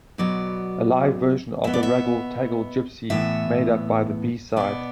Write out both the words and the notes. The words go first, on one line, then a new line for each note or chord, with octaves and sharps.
A live version of "The Raggle Taggle Gypsy" made up the B-side.
B2 F#3 B3 D5
B2 B3 E5
D5
E5
A2 E3 B3 E5
B2 B3 D5